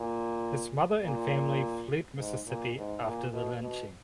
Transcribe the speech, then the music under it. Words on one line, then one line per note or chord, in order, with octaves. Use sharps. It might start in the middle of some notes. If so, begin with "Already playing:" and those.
His mother and family fled Mississippi after the lynching.
Already playing: A#2
A#2
G#2
A#2
G#2
A#2
B2
B2